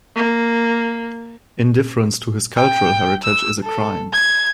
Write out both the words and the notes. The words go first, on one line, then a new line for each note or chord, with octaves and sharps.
Indifference to his cultural heritage is a crime.
A#3
G5
E6
A4
G#6